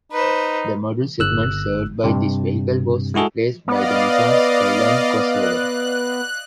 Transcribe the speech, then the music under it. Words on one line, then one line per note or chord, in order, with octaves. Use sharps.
The model segment served by this vehicle was replaced by the Nissan Skyline Crossover.
D#4 B4 C5
G1 E6 F#6
G2 C3
G#3 E4 F#4 G#4 A4
B3 D5 D#5 F5
F#6